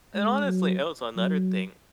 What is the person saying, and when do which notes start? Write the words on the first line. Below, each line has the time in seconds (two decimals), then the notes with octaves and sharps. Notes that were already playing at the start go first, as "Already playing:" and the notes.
And, honestly, it was another thing.
0.15 G#3
0.44 F#3
1.17 F#3